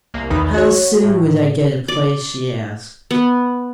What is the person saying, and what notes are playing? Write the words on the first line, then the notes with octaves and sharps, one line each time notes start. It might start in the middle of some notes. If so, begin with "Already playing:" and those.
"How soon would I get a place?" she asked.
C2 A#3
B1 E2 D#3 D#4 B5 D#6
F#4 C#5
A2
D5
B3